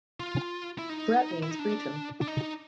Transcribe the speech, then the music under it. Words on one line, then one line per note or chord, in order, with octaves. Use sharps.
"Bret" means 'Breton'.
F4
E4
D#4
E4
D#4
D4
D4
D#4